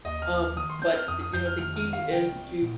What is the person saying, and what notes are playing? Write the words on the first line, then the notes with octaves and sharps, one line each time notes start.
um, but, the you know, the key is to
D#2 D#5
F6
D#2
F6
D#3 D#6
C6
C4 G6
F6
F2 D#6
D#6
F2 G6
F6
D#3 F6
F6
C4
F5
C2 G5
C4
A#2